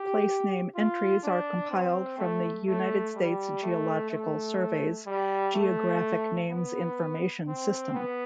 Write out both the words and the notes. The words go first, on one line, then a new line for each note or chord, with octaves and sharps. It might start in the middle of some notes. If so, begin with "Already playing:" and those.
Placename entries are compiled from the United States Geological Survey's Geographic Names Information System.
Already playing: G4
F4
D4
C4
A3
A3
G3
A3
A3
G3
A3
B3
C4
B3